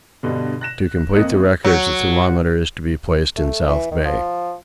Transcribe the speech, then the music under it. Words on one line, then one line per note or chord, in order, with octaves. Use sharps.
To complete the records a thermometer is to be placed in South Bay.
G2 B2 D3
F#6 A#6 E7
F2 A#3 D#5 D#6 F#6 C#7
F#3
A3
E3
D#3
F3